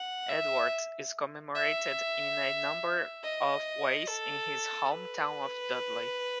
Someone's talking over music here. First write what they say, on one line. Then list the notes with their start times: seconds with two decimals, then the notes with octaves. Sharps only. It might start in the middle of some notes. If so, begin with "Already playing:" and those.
Edwards is commemorated in a number of ways in his home town of Dudley.
Already playing: F#5
0.29 E5
1.55 E5
3.23 D#5
4.07 A4
4.91 B4